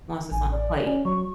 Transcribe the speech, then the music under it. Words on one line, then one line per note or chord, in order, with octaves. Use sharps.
once it's on the plate.
A1 G#5
D5
C#4
F#3 C#6